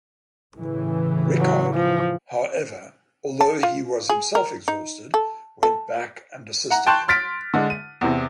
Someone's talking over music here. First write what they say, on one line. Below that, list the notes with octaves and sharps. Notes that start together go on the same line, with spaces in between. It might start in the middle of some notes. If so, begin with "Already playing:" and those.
Rickard, however, although he was himself exhausted, went back and assisted him.
A2 C#3 E3
F#3
F3
A5
F4
G#4
A#4
D#4
A4
A4
F#5 A#5
G5 A5 C6 C#6 F#6
C6 F6 A6 B6 D7
D3 G#3
D#7
E2 C3